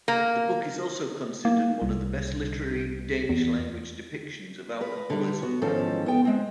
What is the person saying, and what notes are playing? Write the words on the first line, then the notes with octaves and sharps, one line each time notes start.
The book is also considered one of the best literary Danish-language depictions of alcoholism.
A#3
A#3
C2
E2
A#4 B4
D3 G3
B3 F#4
E2 G#2 D#3 F3 C#4 A4
B3 G5
G#3 C4